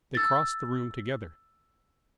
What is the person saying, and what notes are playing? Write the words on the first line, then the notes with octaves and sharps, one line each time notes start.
They crossed the room together.
E6 A6